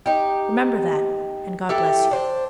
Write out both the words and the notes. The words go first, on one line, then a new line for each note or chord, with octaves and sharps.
Remember that, and 'God bless you!'
D#4 G4
E4 G4 A4
D4 C5